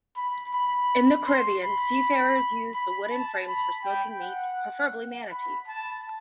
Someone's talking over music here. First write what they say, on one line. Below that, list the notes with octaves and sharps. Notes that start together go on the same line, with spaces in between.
In the Caribbean, seafarers used the wooden frames for smoking meat, preferably manatee.
B5
B5
C6
B5
B5
A5
B5
G5
F#5
B5
A5